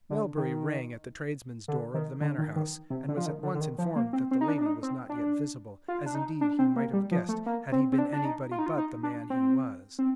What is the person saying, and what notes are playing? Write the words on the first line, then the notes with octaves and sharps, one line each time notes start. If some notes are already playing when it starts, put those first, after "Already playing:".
Melbury rang at the tradesmen's door of the manor-house, and was at once informed that the lady was not yet visible, as indeed he might have guessed had he been anybody but the man he was.
D3
D#3
D3
D#3
D3
D#3
D#3
C3
D3
F3
D#3
D3
D3
D#3
F3
A#3
C4
C4
D#4
D4
D4
D#4
C4
D4
F4
D4
D#4
D4
C4
A#3
G3
F3
A3
A#3
C4
C4
D4
D4
D#4
F4
D#4
F4
D#4
D4
C4
C4